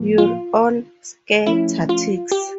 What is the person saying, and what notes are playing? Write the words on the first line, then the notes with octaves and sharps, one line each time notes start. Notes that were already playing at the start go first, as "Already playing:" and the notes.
You're on "Scare Tactics"!
Already playing: A2 F3 A#3
F4
F3 A3 C#4 E4
F4
G4